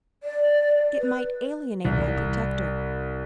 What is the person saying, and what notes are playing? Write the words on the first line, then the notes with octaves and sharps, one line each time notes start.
It might alienate my protector.
D5
B4
C2